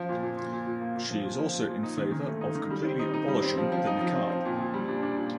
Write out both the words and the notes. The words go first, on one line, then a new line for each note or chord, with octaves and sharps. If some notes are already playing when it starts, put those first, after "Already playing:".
She is also in favor of completely abolishing the niqab.
Already playing: F3
A#2
A#2
A#2
A#2
A#2
A#3
A#2
F3
A#2
F3
A#2
A#2
D#4
D#3
D#3
A3
D#4
D#3
G3
C4
D#4
D#4
G3
C4
F3
F3
D#4
F3
C4
F3
A#2
A#2
G3
D4
D4
A#2